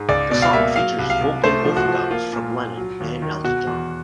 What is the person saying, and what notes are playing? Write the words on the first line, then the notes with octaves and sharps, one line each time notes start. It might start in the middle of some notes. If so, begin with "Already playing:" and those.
The song features vocal overdubs from Lennon and Elton John.
Already playing: G#2
C#2 D5
B2 D5
F5
A#3 E5
F#3 F5
C2
F5
C2
A3 C5
F3
F#4
F3
A#3 F4
A#2
A#2
F#3
D#2
D#3
B2 F#4
E2